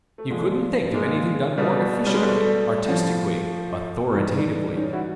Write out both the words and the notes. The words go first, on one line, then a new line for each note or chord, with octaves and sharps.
You couldn't think of anything done more efficiently, artistically, authoritatively.
A3
A#2 F3 G#3
G#3 A#3
B2 G3
G3
G#3
G3 A3
A2 F3
G#2 E3 G3
C#4 D#4
E4 F#4